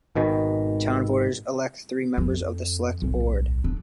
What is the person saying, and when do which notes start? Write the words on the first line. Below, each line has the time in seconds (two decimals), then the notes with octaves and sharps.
Town voters elect three members of the select board.
0.15 G#1 G#2 B2 D#3
2.18 F2
3.02 D1 B1
3.64 D4